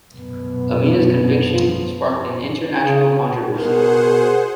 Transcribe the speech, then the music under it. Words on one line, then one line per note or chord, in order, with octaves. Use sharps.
Amina's conviction sparked an international controversy.
F#2 B2
C#3
B2 G#4 A#4 C5 F#5